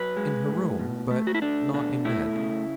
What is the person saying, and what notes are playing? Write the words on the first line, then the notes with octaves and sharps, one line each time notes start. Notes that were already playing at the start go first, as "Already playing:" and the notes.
'In her room, but not in bed.'
Already playing: F#3 B4
G#3
A2
B2
A3
F#4
E4
A3 D4
B2 D4
A3 E4
C#3